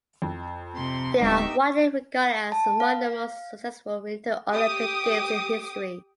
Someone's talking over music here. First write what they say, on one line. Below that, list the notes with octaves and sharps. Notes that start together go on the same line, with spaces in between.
They are widely regarded as among the most successful winter Olympic Games in history.
F2
C3 C6
D1 G#3 B3 C4 D#4 G4 E5 D7
A5
F5
G4 D6 D#6